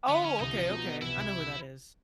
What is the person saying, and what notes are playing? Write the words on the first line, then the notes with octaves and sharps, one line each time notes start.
Oh, okay, okay, I know who that is.
D3 B3
D3 C#4
C2 D#4
F3
B2
B3
C2 E4
C2